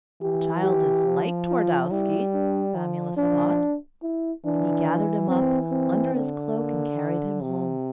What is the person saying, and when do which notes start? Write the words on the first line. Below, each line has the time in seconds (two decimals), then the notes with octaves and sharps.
"The child is like Twardowski," Famulus thought, and he gathered him up under his cloak and carried him home.
0.21 E3 G4
0.63 G4
1.06 F3
1.49 F4
1.91 G3 E4
2.34 D4
2.75 F3
3.17 F3 D4
4.03 E4
4.45 E3 D4
5.29 E3 C4
5.71 C4
6.14 D3
6.57 A#3
7.41 C3